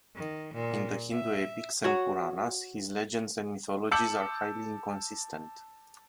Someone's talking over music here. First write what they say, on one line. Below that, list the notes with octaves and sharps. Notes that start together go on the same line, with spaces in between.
In the Hindu Epics and Puranas, his legends and mythologies are highly inconsistent.
D#3
A#2
E5
F#4 C#5
A5 D6 E6 G6 C#7 F#7